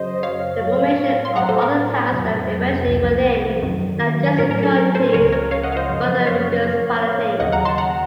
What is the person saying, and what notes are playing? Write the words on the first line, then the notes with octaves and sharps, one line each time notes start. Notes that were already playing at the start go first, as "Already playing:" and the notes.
The formation of other towns that eventually were in adjacent counties further reduced Palatine.
Already playing: F#2 C#3 F#3 C5 D#5
C#5 F5
A2 F#3
C6
A2 F#3 F#5 A#5
A4 C5
A#4
F2 C3 F#3
C2 C3 F3
F#2 D#3 F#3
A2 F#3 A#4 C#5
A#4
A4
A#4
A4 C5
C#2 C#3 F3 A#4 C#5
A#4 C#5
C#5 F5
D#5 F#5
F5
C5 D#5
F#2 C#3 F3
C#5 F5
A2 F3
D#2 C#3 F#3 D#5 F#5
F#5 A#5
A5 C6
F#5 A#5